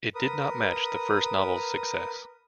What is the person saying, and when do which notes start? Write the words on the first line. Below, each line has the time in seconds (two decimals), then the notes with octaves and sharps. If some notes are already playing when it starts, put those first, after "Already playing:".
It did not match the first novel's success.
0.15 A#4 B4 D#6